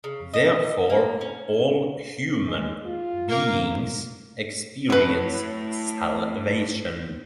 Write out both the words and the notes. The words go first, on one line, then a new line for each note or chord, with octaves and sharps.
Therefore, all human beings experience salvation.
C#3
D#5
A#3
C#4
G#3
F4
A#3
A2 F#3 A3 B4